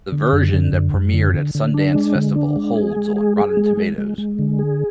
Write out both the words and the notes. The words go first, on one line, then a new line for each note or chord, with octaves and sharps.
The version that premiered at Sundance festival holds on Rotten Tomatoes.
D3
F#2
D3
F#2
F#2
D3
D3
D3
D4
G#3
D3
D4
G#3
G#4
G#3
G#4
G#4
G#3
G#3
G#3
G#3
D3
G#4